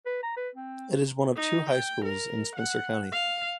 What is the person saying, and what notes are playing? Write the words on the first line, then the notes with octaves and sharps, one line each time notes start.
It is one of two high schools in Spencer County.
B4
A#5
B4
C4
D#4
G5
A#4
F#5
F5